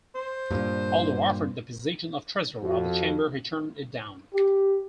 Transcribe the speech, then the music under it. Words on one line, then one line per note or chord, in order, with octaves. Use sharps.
Although offered the position of Treasurer of the Chamber he turned it down.
C5
G2 A#2
F2 F#4
G4